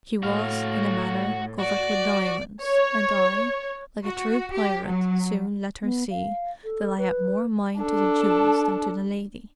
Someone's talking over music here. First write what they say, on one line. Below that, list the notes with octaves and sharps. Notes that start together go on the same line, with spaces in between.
She was, in a manner, covered with diamonds, and I, like a true pirate, soon let her see that I had more mind to the jewels than to the lady.
A2 F#4 F5
F#4 D5
C#5
F#4
G4
F#3
B3
F5
A4
B4
D4 A4